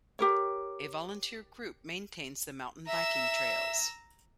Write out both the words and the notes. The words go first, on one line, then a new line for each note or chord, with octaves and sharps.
A volunteer group maintains the mountain biking trails.
G4 A#4 C#5
E5 A#5 E6